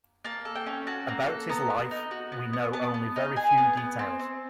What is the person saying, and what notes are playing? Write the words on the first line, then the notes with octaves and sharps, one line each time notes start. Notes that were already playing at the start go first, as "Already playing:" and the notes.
About his life we know only very few details.
A#3 A5
A4
G5
C#4
F#4 A5
A#3
A4
B3 A#5
B3
D#4
F#4
B3
B3
B3 A5
B3
D#4
G#4 G#5
B3
B3
C4
C4